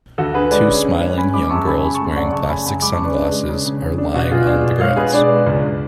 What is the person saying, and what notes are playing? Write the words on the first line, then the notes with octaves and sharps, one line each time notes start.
Two smiling young girls wearing plastic sunglasses are lying on the grass.
D2 F#4 A4
D3 G#4 B4
G#3 B4 D5
C#4
C#4
C#4
C#4 G#5 B5
G#3 B5 D6
F#2 A5 C#6
C#3 G#5 B5
C#3 G#5 B5
A5 C#6
A3
A5 C#6
F#2 D5 F#5
C#3 A5 C#6
C#3 G#5 B5
F#2 G#5 B5
G#3 B5 D6
A5 C#6
C#3
B4 D5
D4
G#3
C#3
C#3
C#3
D4
B2 F#4
B2 F4 G#4
D4
B2
G#3 C#5 F5
B2 G#4 B4
D4 B4 D5
G#3
C#2